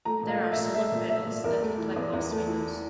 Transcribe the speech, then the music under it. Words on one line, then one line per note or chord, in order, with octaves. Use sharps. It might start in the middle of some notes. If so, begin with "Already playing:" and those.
There are solar panels that look like glass windows.
A3 A#5
A#2
F5
A3
E5
A#2
A3 E5
A#2
A3 E5
A#2
E2 A#4
A3
E3
E2
E2
A3
E3